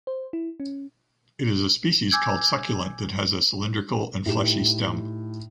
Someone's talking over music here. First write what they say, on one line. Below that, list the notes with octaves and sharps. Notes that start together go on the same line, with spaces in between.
It is a species called succulent that has a cylindrical and fleshy stem.
C5
E4
C#4
G#5 D6 E6 G6 G#6
A2 D#4 G4 E7